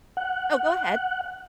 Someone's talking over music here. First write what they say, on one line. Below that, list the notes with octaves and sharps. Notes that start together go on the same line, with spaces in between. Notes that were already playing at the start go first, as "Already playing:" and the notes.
Oh, go ahead.
F#5